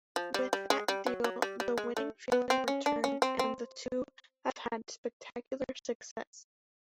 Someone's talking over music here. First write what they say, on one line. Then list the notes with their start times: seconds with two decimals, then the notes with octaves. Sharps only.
With that deal the winning feeling returned, and the two have had spectacular success.
0.16 F3
0.34 G3
0.53 G3
0.70 G#3
0.88 G3
1.06 F#3
1.24 F#3
1.42 G3
1.60 G3
1.78 G#3
1.97 A3
2.32 B3
2.50 C4
2.68 C#4
2.86 D4
3.04 C#4
3.22 C4
3.39 C4